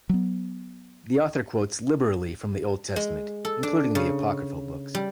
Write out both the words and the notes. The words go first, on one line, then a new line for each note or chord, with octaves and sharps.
The author quotes liberally from the Old Testament, including the apocryphal books.
F#3 B3
G#3
A4
D4
C#3
G3